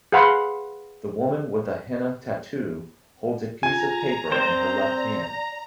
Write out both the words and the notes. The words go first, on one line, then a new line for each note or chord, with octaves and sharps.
The woman with a henna tattoo holds a piece of paper in her left hand.
G#4 B4 F5 F#5 B5 C6
F4 G#5 A#5
C4 C5 D5